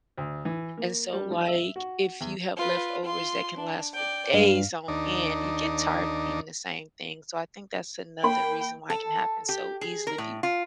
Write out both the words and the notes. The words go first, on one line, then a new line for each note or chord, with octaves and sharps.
And so, like, if you have leftovers that can last for days on end, you get tired of eating the same thing. So I think that's another reason why it can happen so easily if you
D2
E3
A#3
G3
F3
E5
F#4
E2
F4 B4
F4 C6
D4
D5 G5
G2 F5
D#2 D4 D#4
A#3 G5 B5
A4
G4
G#4
A#4
A2
F4